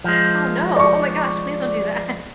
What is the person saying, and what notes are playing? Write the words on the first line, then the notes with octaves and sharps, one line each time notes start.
Oh, no. Oh my gosh please don't do that.
F3 G#3
D5 C#6